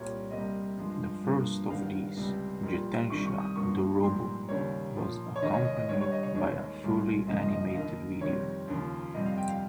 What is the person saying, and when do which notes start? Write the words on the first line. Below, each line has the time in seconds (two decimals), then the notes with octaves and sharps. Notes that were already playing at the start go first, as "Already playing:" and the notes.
The first of these, "Jitensha Dorobou", was accompanied by a fully animated video.
Already playing: C2 A#2 G3 A#3 C#5
0.31 C2 C3 G3 A#3 D#5
0.77 G2 F3 G#3
1.23 G2 F3 A#3
1.70 G1 G2 D#3 G3 F5
2.17 C#2 C3 G3
2.63 A#1 A#2 G3 A#3
3.10 C2 C3 D#3 G3 C#6
3.25 C#6
3.40 D#6
3.56 G1 G2 F3 A#3 C#6
4.03 A#1 G#2 G3 A#3 C6
4.49 D#2 C#3 G3 A#3 C#5
4.96 A#1 A#2 F3 A#3
5.36 C#5
5.42 D#2 D#3 G#3 D#5
5.53 C#5
5.65 D#5
5.77 D#5
5.88 G1 G2 G3 C#5
6.01 C#5
6.12 D#5
6.23 C#5
6.35 D#2 D#3 G#3 C#5
6.82 C2 A#2 G#3
7.28 G1 F2 C#3 F3 A#3 D#5
7.40 D#5
7.51 D#5
7.64 D#5
7.70 F5
7.74 D#2 D#3 A#3 D#5
8.21 F2 C3 D#3 G3 C#5
8.68 D#2 C#3 F3 A#3
9.14 G1 F2 C3 G3 D#5
9.26 F5
9.38 G5
9.49 F5